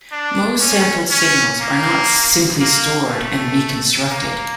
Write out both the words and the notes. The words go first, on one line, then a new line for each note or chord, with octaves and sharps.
Most sampled signals are not simply stored and reconstructed.
D4
C#4
C#4
A#3
A#3
A3
A#3